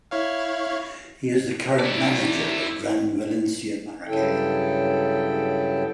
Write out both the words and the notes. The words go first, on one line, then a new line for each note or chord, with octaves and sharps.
He is the current manager of Gran Valencia Maracay.
E4 C#5 F5
E4 D5
G2 C#3 F#3 E4 A4 G5